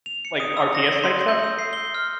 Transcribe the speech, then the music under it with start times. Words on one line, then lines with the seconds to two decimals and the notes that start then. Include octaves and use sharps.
like, RTS type stuff?
0.06 F7
0.25 C#7
0.40 D#6
0.57 E6
0.75 A#6
0.87 G7
1.04 C6
1.28 G6
1.44 E6
1.59 C7
1.73 G7
1.95 F6